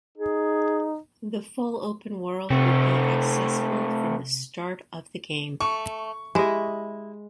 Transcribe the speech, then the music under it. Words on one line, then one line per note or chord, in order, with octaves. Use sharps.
The full open world will be accessible from the start of the game.
D#4 G#4
C3 A3 C4
A3 C#6
G#3 E4 G4 D#5 E5